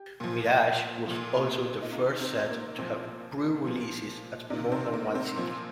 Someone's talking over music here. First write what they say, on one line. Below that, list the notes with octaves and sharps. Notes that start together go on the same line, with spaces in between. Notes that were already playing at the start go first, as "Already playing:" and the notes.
"Mirage" was also the first set to have pre-releases at more than one city.
Already playing: G4
A#2 F3
A#2 F3
D#4
C3 D#3 F4
C4
A#3
A#2 F3 C4
A#2 F3
C3 D#3 D4
C4
A#3
C4
A#2 F3 C4